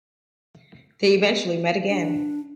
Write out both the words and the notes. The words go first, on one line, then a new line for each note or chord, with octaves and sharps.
They eventually met again.
D4